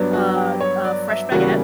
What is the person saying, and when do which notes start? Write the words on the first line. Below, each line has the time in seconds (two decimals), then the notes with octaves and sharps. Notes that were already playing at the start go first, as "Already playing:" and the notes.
a a fresh baguette,
Already playing: G2 F#3 B3 D4
0.13 F#4
0.36 G4
0.61 C#5
0.85 D5
1.08 E5
1.32 E2 C#3 G3 A#3 C#4 F#4